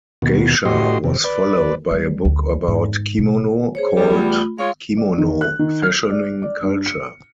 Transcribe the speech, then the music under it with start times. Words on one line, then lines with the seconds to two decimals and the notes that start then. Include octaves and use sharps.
Geisha was followed by a book about kimono, called "Kimono: Fashioning Culture".
0.22 D#2 B2
0.65 A2 F#4 G4 D#5 C6
1.04 F2 C3
1.24 B4 D5
1.91 G3
2.25 D2
2.68 G#2
3.18 B2
3.75 G#4 C5 C#5
3.97 E2 G3
4.09 A3 F4 B5
4.58 G#3 F4 C#5 F5
4.97 D5
5.18 D#3
5.41 F#6
5.59 D#3
5.82 F6
6.10 D5
6.42 D5
6.63 G2
6.86 C#7